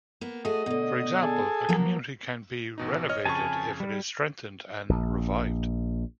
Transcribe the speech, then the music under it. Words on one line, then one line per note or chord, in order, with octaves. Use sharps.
For example, a community can be renovated if it is strengthened and revived.
A#3 B3
A3 F#4 G#4 D#5
B2 D3
G#4 A4
F3 F#3 A#3
A1 B2 D#4
C#5 D#5 F6
F2 C#3 G#5 A5 C#6
G3
A#1